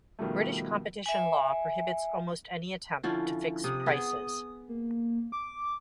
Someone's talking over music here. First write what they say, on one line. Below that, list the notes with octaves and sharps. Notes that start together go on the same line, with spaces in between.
British competition law prohibits almost any attempt to fix prices.
B2 D#3 F3 G3 A3
E5 G#5
D3 F3 C#4 E4
C3 D#6
B3 G#4
A#3
D6